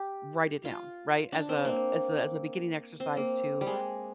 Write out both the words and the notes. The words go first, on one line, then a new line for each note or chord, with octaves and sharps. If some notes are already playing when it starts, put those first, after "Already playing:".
Write it down," right? As a as a as a beginning exercise to
Already playing: G4
F4
D4
C4
A#3
C4
A#3
G3
G#3